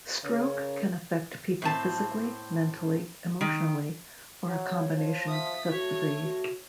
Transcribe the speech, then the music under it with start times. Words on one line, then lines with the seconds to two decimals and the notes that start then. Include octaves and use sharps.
Stroke can affect people physically, mentally, emotionally, or a combination of the three.
0.24 C#3 A#4 C#5
1.62 A2 C4 A5
3.41 D#3
4.45 F#3 C#5
4.94 F3
5.28 E5 D#6 B6
5.72 A3 F#4 C#5
6.23 F#4